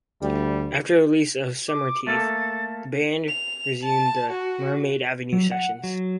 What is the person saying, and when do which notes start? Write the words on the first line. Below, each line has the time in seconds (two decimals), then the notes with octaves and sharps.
After the release of "Summerteeth", the band resumed the "Mermaid Avenue" sessions.
0.22 D2 G3
1.69 D6
2.07 A3 A#3 A4 A6
3.28 F7
3.83 A5
4.30 F#4
5.33 F#3
5.51 F#5
5.84 F#3